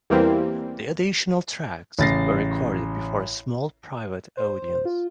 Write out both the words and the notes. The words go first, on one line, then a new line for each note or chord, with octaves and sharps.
The additional tracks were recorded before a small private audience.
E2 E3 G3 A#3 C4
A1 C#3 A6 A#6 C7
C5
F4